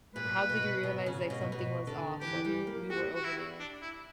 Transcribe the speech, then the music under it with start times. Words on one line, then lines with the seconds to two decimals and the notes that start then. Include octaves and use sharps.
how did you realize, like, something was off when you you were over there?
0.15 A#2 B4
0.49 B2
0.83 B2
1.06 C#3
1.30 B2
1.52 B2
1.87 D3
2.21 E3 G4
2.45 G3
2.67 A#3
2.90 F#4 G4
3.15 F#4
3.24 E4
3.59 D4
3.82 E4